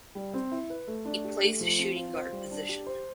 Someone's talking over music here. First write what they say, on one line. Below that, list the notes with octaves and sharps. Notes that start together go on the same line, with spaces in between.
He plays the shooting guard position.
G3
C4
E4
B4
A3
D4
G4
A3
F3
C4
F4
C5
G3
D4
G4
C5